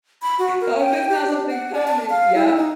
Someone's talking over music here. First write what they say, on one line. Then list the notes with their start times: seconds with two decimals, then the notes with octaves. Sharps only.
So, if it's not something common Yep,
0.22 B5
0.39 F#4
0.61 A#4
0.79 G5
1.09 G4
1.28 D4
1.50 F#5
1.74 D5
1.87 A5
2.10 F5
2.35 E4
2.56 D#4